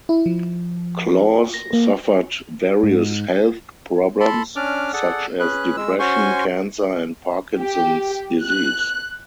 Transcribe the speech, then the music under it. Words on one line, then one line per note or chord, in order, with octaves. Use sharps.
Claus suffered various health problems, such as depression, cancer and Parkinson's disease.
E4
F3
A#6
A#3
G#2
A4 A5 B5 C6
C#4 D4 D5 D6 F6
G#4 A4 D5 F#5
C#4 G#4 B4 F#6
G#3 E6
C#4 F#4 C5 G#5 C6 C#6
G4
F#6